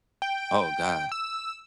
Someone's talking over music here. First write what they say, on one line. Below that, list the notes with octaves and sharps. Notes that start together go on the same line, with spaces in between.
Oh god.
G5
E6